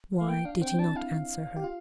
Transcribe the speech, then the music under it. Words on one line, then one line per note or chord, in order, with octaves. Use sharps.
Why did he not answer her?
A3 F5
A#3 G5
D4 F5
C4 G5
C4
D4 A5
E4 F5
G4
F4